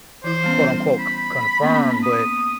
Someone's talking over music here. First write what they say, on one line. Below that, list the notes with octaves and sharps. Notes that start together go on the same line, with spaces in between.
quote, unquote, "c confirmed," but
E3 E4 C5
G3 B3 C#4
B5
A#3 B3 C#4
D#6